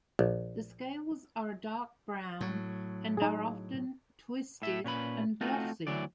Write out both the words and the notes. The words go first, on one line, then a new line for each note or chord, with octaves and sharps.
The scales are a dark brown and are often twisted and glossy.
A#1
A2 F#3
D#4 G#4
A2 E5
A#2 C#4 B4 B5
A3 C4 D#4 F4 F#4
D2 E3 F#3 D5